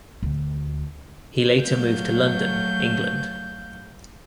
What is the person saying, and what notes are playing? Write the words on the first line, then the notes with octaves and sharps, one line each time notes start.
He later moved to London, England.
D2
F#3 A3 F5 G6